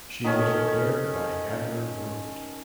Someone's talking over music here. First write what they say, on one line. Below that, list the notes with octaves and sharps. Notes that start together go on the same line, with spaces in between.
She was repaired by Adler Werft.
D#3 C#4 A4